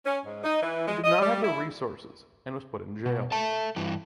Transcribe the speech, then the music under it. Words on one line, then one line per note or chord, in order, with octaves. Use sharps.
He did not have the resources and was put in jail.
C#4
G#2
D#4
E3
G#3
D#5
G3
E4
B2
A4 E5 A5
G2 E3